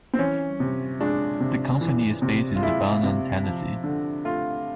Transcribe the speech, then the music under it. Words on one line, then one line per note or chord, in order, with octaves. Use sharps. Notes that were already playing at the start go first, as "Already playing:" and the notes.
The company is based in Lebanon, Tennessee.
C4
E3 C#4
C3
G#3 D4
C3
E3
C3
F4
G#3 E4
C3
F3
D3
A3 F4